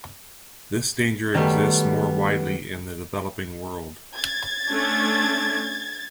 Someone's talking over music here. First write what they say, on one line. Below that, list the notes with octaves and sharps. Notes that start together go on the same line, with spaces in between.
This danger exists more widely in the developing world.
D3 D#3 F#3 G3 A3 B3
G#6 A6
A3 C#4 D4